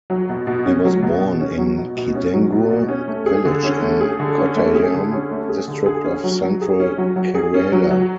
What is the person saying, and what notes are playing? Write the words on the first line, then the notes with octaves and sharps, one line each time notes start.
He was born in Kidangur village in Kottayam district of central Kerala.
F#3
B2
B2
C#4
F#3
B2
B2
C#4
F#3
B2
B2
C#4
F#3
B2
B2
C#4
A3
G#4
D3
C#4
A3
G#4
D3
C#4
A3
G#4
D3
C#4
A3
G#4
D3
G#4
C#4
F#3
F#3
G#4
C#4
F#3
F#3
G#4
C#4
F#3
F#3